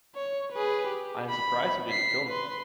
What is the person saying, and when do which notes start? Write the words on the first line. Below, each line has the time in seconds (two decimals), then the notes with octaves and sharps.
I am surprised you didn’t kill me.
0.15 C#5
0.52 G#4 B4
0.87 G4
1.30 B5
1.90 B6 C7
2.28 B4 C6